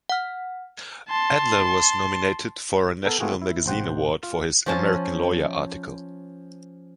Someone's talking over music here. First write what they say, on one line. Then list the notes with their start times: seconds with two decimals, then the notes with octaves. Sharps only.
Adler was nominated for a National Magazine Award for his "American Lawyer" article.
0.09 F#5 F6
1.09 A5 C6
3.05 B3 A4 A#4
3.20 A3 B3 C4 F4 F#4 G#4
3.42 E4
3.66 A1 C3 C5 F#5 G5
4.23 F4
4.66 F3 C#4 A5